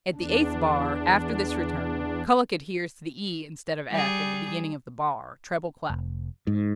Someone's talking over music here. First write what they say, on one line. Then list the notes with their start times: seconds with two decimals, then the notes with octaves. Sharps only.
At the eighth bar, after this return, Kullak adheres to the E instead of F at the beginning of the bar, treble clef.
0.14 E2 D4
3.90 G3 G#4
5.90 F1
6.47 G#2